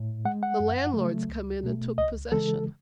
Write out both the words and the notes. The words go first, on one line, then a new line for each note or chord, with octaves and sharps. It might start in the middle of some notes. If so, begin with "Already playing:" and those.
The landlord's come in and took possession.
Already playing: A2
G#3 F#5
F#5
F#2
C#3 F#3 A3
C#2
B2 A3
C#2 D#5
C#3 E3 G#3 A4